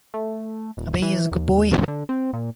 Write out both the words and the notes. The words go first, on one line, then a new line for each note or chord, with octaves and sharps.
Abhay is a good boy.
A3
D#1
E3
D#2
D3
C4
A#2